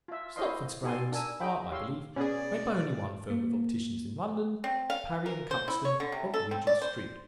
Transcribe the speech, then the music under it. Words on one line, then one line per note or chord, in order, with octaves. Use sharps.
Stopford's frames are, I believe, made by only one firm of opticians in London, Parry & Cuxton of Regent Street.
F4 E5
E4 C5 C#5 D#5 F5 C6
D#4 G4 A4 G#5 C6
D4 A#4 G#5 E6
D4 G#4 D#5 G5 B5
G4 C#5 F5 C6 E6
B2 C#4 G#4 D5
A#3
C4
F5
A#4
C5
E4
C#5
D3
C3
A4
C4
D5
C5